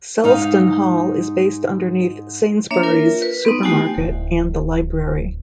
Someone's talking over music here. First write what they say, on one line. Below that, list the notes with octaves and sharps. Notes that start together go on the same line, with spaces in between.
Selsdon Hall is based underneath Sainsbury's supermarket and the library.
G#2 D#4 F5
A#3 D4 C#5 E5
F4 A#4
B4
B3 C4 D#4
A3 D#4 F#4 G4 G5 G#5
D1